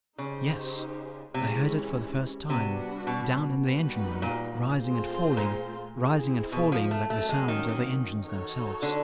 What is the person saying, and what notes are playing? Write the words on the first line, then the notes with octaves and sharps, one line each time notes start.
"Yes, I heard it for the first time--down in the engine-room; rising and falling, rising and falling, like the sound of the engines themselves."
C#3 D#4 G4 C5
C3 E3 G#3 C#4 E4
C3 G3 B3 D4 F#4 B4
B2
G3 A#3 D#4 F#4 B4
A#2
A3 C4 F4 G#4 C5
A#2
C4 E4 G#4
B2
F3
A3
F#3 A3 A#3 C#4
G#3
D#3
D#3
D#4 F#4 A4 C#5
D3